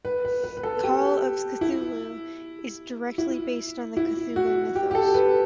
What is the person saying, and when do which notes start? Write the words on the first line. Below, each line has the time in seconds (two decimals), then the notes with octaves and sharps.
"Call of Cthulhu" is directly based on the Cthulhu Mythos.
0.05 B4
0.25 B4
0.44 B4
0.57 B4
0.63 A4
0.83 G4
1.61 E4
3.18 E4
3.97 E4
4.36 F#4
4.75 G4
4.91 G4
4.95 A4
5.14 B4